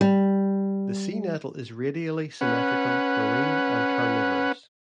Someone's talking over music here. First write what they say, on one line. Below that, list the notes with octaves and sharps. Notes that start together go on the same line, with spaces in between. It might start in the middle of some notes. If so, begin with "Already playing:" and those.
The sea nettle is radially symmetrical, marine, and carnivorous.
G3
C#4 B4 F#5